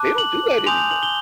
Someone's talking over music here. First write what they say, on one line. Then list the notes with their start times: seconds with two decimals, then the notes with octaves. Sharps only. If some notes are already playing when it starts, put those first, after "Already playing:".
They don't do that anymore.
Already playing: A5 D6 F#6
0.18 F#7
0.58 F#7
0.66 G#5 C6 D#6 G6 F7
0.78 F7
0.91 F#7
1.03 G7